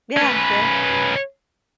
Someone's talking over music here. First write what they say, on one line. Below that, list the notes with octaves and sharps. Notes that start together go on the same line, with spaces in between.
Yeah, yeah.
C#4 B4